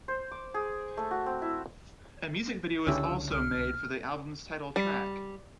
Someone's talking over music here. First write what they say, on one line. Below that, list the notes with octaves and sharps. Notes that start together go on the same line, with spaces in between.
A music video was also made for the album's title track.
C5
D6
G#4
A3
F#4
C4
E4
C#2 D3 C#4 E4 G4 E6
C2 F6
G3